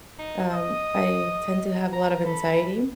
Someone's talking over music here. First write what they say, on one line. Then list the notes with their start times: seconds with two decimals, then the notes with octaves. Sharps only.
Um, I tend to have a lot of anxiety
0.19 D#4
0.53 D#5 D#6
1.52 D#5
1.93 A#5
2.25 A4 B5